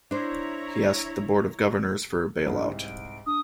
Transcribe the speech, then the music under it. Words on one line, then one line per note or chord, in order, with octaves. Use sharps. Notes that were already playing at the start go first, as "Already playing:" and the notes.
He asked the board of governors for a bailout.
D4 E4 C5 C#5 A#5
C2 G#2 D4
D7
D4 D#6